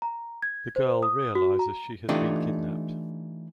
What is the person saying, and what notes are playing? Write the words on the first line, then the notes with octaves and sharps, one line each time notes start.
The girl realises she has been kidnapped.
A#5
G#6
C5
D#6
F#4
A#5
E3 A3 D4 D#4 F4 G4